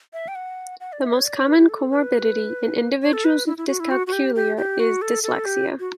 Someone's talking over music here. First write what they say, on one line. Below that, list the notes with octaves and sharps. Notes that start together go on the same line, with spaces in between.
The most common comorbidity in individuals with dyscalculia is dyslexia.
E5
G5
F#5
F#5
D5
E5
C#5
D5
C#5
B4
G4
A4
B4
C#5
A4
B4
E4
E4
F#4
E4
F#4
F#4
G4
G4
G4
F#4
A4
A4
G4
F#4